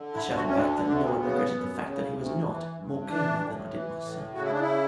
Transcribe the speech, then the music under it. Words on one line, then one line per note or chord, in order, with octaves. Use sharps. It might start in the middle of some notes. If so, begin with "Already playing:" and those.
I shouted back that no one regretted the fact that he was not more keenly than I did myself.
Already playing: D3
E4
D2
F#4
C#4
D3 D4
D4
D2 D4
B3
C#3 B3
F#2
C#3
D2
E3
G2
E3 D4
A2
E3
A2
C#3 F#4
E4
D4
E4